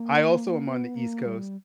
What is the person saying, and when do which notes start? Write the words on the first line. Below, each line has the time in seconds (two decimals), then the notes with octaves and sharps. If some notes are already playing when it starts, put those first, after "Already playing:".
I also am on the East Coast, t
Already playing: A#3
0.68 B3
0.96 A#3
1.26 G3